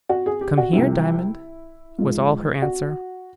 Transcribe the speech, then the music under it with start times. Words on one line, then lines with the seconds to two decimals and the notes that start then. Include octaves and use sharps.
"Come here, Diamond," was all her answer.
0.09 F#4
0.26 G#4
0.41 G4
0.58 F#4
0.73 C2 C3 F3 E4
1.99 G#2 F3 G#3 F4
2.62 F#4